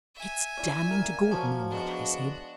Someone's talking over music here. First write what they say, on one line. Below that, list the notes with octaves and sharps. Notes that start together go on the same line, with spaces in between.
"It's damning to Gordon, all right," I said.
E5 G#5
C#4 E4 D5
A#4 F5 G5
F3 F#3 A#3 C#4 C#6
G#3 B3 D4 F#4